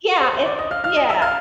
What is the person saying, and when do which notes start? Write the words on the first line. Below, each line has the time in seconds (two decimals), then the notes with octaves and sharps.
Yeah, it yeah,
0.20 C5 C6
0.33 C5 C6
0.46 D5 D6
0.59 D#5 D#6
0.71 F5 F6
0.84 F5 F6
0.96 D#5 D#6
1.10 E5 E6
1.22 F5 F6